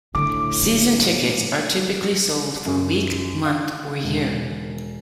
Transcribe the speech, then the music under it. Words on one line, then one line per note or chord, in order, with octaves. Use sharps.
Season tickets are typically sold for a week, month or year.
A2 D3 D6
F#2
F5
E1